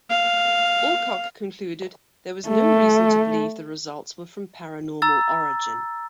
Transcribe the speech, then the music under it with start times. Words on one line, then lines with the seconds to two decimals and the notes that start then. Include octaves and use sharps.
Alcock concluded there was no reason to believe the results were from paranormal origin.
0.10 F5
2.49 A3
5.02 A#5 E6 A6